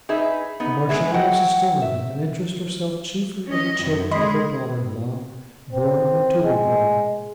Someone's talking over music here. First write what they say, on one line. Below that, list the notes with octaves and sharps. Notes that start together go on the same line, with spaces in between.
The Marchioness is still living, and interests herself chiefly in the children of her daughter-in-law,--born, and to be born.
D#4 G#4 B4 E5
B3 D#4
B2 G#3 G#4 E5
F#3 F#4 D#5 F#5 G5
E5
C#4 D#5
F#2 C3
G#3 G#4 D#5 B5 C6
C4
G#3